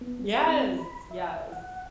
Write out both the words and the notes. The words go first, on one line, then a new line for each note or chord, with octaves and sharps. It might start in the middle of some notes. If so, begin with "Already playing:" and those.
Yes, yes,
B3
G#4
C4
B5
E5
F#5